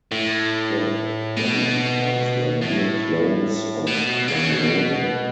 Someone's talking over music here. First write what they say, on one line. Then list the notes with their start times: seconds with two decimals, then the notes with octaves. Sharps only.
The W class were near-clones of "Dunrobin".
0.12 A2
1.36 B2
2.61 A2
3.87 B2
4.07 B2
4.28 C#3
4.50 B2